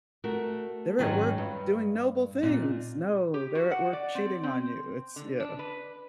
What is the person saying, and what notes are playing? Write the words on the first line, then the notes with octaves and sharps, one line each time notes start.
"They're at work doing noble things." No, they're at work cheating on you. It's Yeah.
A3 F#4 A#4
E2 G#2 D#3 F#3 C#4 D#4
G2
A#2 C4 D4 D#4
G4
F#4
F#5
D5
C4
C4
D3
D4
B4